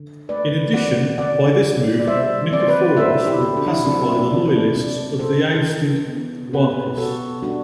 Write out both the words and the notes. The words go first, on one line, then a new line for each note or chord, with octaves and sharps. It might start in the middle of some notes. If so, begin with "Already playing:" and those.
In addition, by this move Nikephoros would pacify the loyalists of the ousted Doukas.
Already playing: D3
A3 B4 D5
C4 D5 F#5
D3 D5 F#5
D3
D5
G3 C5 E5
C4 D5
C5
B4 D5
D3 C5 E5
E4 G4
D3
D4
E4
D4
F#3 C4 E4
D4
C4
D4
C3 D4
C3 A4 C5
E3
B3
B2 G4 B4
B2 F#4 A4
G3 D4 F#4